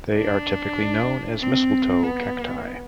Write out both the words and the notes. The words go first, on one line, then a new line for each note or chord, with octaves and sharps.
They are typically known as mistletoe cacti.
D4
C4
B3